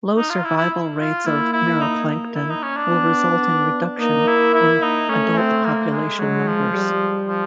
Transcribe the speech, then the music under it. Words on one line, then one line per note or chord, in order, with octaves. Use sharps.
Low survival rates of meroplankton will result in reduction in adult population numbers.
D#4
F4
E4
E4
F4
A#3 E4
E4
D#4
E4
D#4
C#4
D4
B3
A#3 D#4
E4
E4
D#4
A3 C#4
C4
A#3
G#3
F#3 G#3
F3
G3
F3